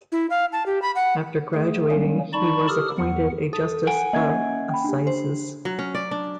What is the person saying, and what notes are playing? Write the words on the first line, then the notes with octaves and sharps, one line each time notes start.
After graduating he was appointed a justice of assizes.
E4
F5
A5
G4
B5
F#5
A3 G#4
F#3 G3 A#3 C#4
D#4 D5 A5 B5 C#6
G4 A4 D#6 F6
E2 F#5
A4 D#6
F#5 G#5 D7
A#3 C#4 D#5 E5 G#6
G5 B5
D4 G4
C5
F#3
C#4
D5
D4